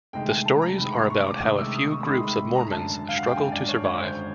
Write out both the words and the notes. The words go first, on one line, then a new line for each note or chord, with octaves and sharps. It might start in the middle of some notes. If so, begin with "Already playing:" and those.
The stories are about how a few groups of Mormons struggle to survive.
D2 C3 D#3 G#3 G5
G#5
A5
A#5
D2 C3 D#3 G#3 B5
C6
C#6
D6
D2 C3 D#3 G#3 D#6
E6
D#6
C#6
B5
D2 C3 D#3 G#3 C6
B5
A#5
G#1 F#2 D3 A5
F5
F#5
G5
G#1 F#2 D3 G#5
D5
C#5
C#5
G#1 F#2 D3 C5